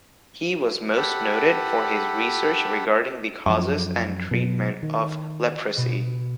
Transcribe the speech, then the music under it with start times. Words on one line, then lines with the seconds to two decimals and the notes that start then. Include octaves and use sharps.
He was most noted for his research regarding the causes and treatment of leprosy.
0.97 G4 A4 F#5 B5
3.46 F#2 F3
4.31 B2 F#3
4.83 D#3
5.77 B2